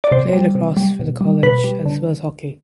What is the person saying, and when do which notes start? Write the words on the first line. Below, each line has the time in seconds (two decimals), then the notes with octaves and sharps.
She played lacrosse for the college as well as hockey.
0.04 D5
0.11 C3 C5
0.33 G3
0.55 C3
0.77 G3
0.99 B2
1.21 G3
1.43 B2 B4
1.64 G3
1.86 D3